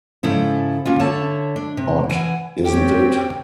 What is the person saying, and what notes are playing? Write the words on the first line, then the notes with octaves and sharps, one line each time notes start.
Odd, isn't it?
G#2 C#3 F3 E4 A4
A#3 C#4 F4
D3 C#5 E5 A5
D4
C3
E3 F#5 G#5
C4 C#4 G4 G5